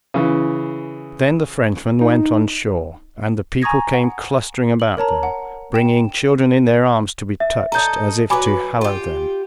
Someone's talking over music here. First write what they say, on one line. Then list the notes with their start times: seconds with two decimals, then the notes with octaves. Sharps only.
Then the Frenchmen went on shore, and the people came clustering about them, bringing children in their arms to be touched, as if to hallow them.
0.14 C#3 E3
2.01 D#4
3.62 G#5 A#5 C#6 D#6 G#6 A#6
3.93 F#5
4.80 F#7
4.97 A#4 C#5 A5 A#5
5.23 F#5
5.74 G5 E7
7.40 E5
7.72 A4 C5 D#5 A#5 G6
8.30 F#3 B4 G#5 B5 D6
8.81 F4 G4